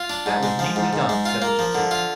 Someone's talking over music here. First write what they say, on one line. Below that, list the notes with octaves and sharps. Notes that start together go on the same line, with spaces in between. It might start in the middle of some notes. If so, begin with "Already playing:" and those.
'That was neatly done,' said the gypsy.
Already playing: F4
D4
G#2
G#3
F3
G#2
G#2
G#3
F4
A#3
F3
D3
F4